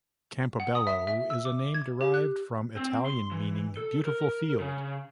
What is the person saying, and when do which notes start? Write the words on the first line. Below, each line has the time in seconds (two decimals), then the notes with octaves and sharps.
Campobello is a name derived from Italian meaning "beautiful field".
0.60 F#5
0.75 D#6
0.87 E5
1.07 E5
1.30 E6
1.45 D6
1.74 G#6
2.01 G4
2.14 F#6
2.77 C4
3.06 C6
3.32 E3
3.77 A4
4.05 A#4
4.60 C#3